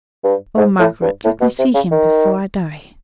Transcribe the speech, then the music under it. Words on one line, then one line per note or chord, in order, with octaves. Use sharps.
Oh, Margaret, let me see him before I die!'
G2
G#2
A2
G2
A2
B2
C3
C#3
D#3